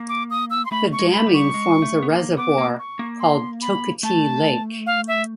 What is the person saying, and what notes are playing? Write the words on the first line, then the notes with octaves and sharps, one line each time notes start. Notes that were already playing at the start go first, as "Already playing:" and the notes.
The damming forms a reservoir called Toketee Lake.
Already playing: A#3
D6
D#6
E6
C6
A3 B5
C#6
G#3
B5
G3
C#6
G#3
A3
B3
A#3
B3 D6
A#3
C#6
A#3
C6
B5
A3 A5
F5
E5